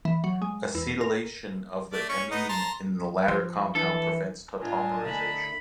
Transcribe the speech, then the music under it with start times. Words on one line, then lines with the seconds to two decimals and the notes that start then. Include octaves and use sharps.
Acetylation of the amine in the latter compound prevents tautomerization.
0.05 E3
0.24 F#3
0.42 G#3
0.75 E2
1.01 A#4
1.93 A3 D5
2.09 C#4 C#6
2.31 B3 D#4 D#5
2.49 A5 A#5 C6
3.28 F3 C6
3.75 E3 D4 A4 A5
4.62 A2 D4 F4 A#4 D#5 G#5 A5
5.05 D3 A3 E4 B5